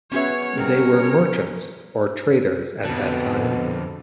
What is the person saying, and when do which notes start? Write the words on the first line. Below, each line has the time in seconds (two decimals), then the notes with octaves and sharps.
They were merchants or traders at that time.
0.12 B3 C#4 F#4 G#4 B4 C#5 E5
0.57 C3 G3 C4 C#4 G#4 A#4 C#5
2.85 F2 B2 D3